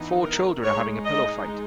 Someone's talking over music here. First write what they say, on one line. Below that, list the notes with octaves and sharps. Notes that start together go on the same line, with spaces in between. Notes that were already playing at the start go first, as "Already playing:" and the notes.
Four children are having a pillow fight.
Already playing: E3 B3 D#4
A#4
G#3 D#4 C#5
D#5